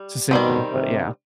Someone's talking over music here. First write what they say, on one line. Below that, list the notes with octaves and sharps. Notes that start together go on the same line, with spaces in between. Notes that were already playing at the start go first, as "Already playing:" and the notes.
succinctly, but yeah.
Already playing: G3
B2 D#3 G3 C4
C3